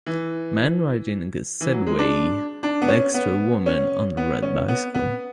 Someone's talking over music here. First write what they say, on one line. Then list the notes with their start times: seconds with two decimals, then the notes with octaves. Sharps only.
Man riding a Segway next to a woman on a red bicycle.
0.06 E3
1.61 E3
1.73 F#3
1.86 G#3
1.99 D4
2.63 D4
2.82 B3
2.88 C#4
3.14 B3
3.66 C#4
4.17 B3
4.42 C#4
4.68 B3
4.94 B3